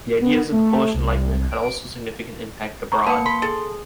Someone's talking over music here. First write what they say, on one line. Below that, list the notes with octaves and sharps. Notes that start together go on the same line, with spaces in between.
The ideas of the Polish Enlightenment had also significant impact abroad.
B3
A3
C2
D7
A#5 C#6
A#3 B3 A5 C#7
B5 C6
G#4 A4